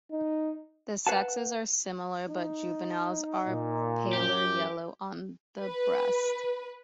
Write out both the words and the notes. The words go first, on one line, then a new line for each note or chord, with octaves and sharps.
The sexes are similar, but juveniles are paler yellow on the breast.
D#4
B4 F5 F#5 G#5 A5
D#4
A#2
F#2 G4
B4